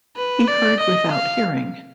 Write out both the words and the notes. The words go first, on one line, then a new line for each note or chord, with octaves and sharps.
He heard without hearing.
B4
D5
D#5
F5